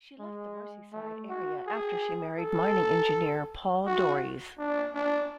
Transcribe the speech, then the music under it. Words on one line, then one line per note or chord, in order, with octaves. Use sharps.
She left the Merseyside area after she married mining engineer Paul Dorries.
G#3
A3
F#4
G#4
A4
F#4
D4
D4